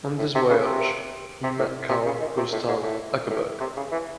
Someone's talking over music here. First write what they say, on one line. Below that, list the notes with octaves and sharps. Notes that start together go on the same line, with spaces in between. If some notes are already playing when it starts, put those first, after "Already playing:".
On this voyage he met Carl Gustaf Ekeberg.
A2
C3
C#3
C3
C3
A2
C3
C#3
D#3
C3
A2
G#2
A2
A2
C3
C#3
E3